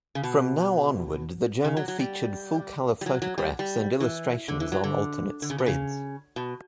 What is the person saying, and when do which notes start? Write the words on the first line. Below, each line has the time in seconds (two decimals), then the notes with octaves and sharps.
From now onward the journal featured full-colour photographs and illustrations on alternate spreads.
0.15 C#3
0.23 B2
1.64 C#3
1.77 F#3
1.88 F#3
1.99 G3
3.01 G3
3.06 F#3
3.22 F#3
3.38 G3
3.59 G3
4.00 E3
4.48 D3
4.60 E3
4.72 F#3
4.84 D3
5.42 D3
5.50 C#3
5.58 B2
5.66 C#3
6.36 B2